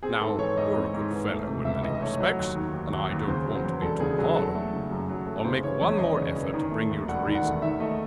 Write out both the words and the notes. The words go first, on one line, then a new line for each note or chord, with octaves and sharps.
Now, you're a good fellow in many respects, and I don't want to be too hard on you. I'll make one more effort to bring you to reason.
C4 G#4
G#2 A4
E3 C#5
G#2 D#5
C4
G#2
E3
A3
C3
C#2 E5
E3 D#5
D#5
A3 C#5
F#3
D#2
D#3
D#2
F#3
D#2
C#3 C5
F#3
C5
E2
E1 A4
C#3 G#4
F#3 G#4
F#3 A4
A3
C#3
F#2
F#3
A3
C#3 C5
E3 C#5
E2 C#5
E1 D#5
C#3
E3
D#3
A3
D#2
E1 F#5
D#3
F#5
A3
D#3 E5
A3 D#5